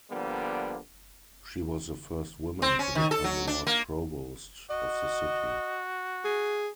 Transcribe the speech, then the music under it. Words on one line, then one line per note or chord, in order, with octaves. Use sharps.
She was the first woman to become Lord Provost of the city.
D3 F3 G3 A#3 B3
C4
C#4
D#3
A4
F#3
D4
A#3
F#4 D#5
G#4